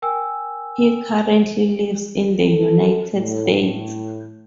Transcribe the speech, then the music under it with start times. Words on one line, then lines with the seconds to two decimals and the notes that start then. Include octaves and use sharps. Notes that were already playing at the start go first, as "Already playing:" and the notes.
He currently lives in the United States.
0.02 A#4 G5 G#5 E6
2.39 A4
3.16 A2